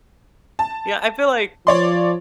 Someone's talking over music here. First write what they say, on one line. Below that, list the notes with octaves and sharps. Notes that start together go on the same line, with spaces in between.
Yeah, I feel like
A5
F3 C#5 D5 C6